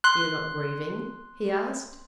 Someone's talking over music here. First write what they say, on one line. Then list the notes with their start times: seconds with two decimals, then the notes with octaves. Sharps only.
"You're not grieving?" he asked.
0.04 C6 F#6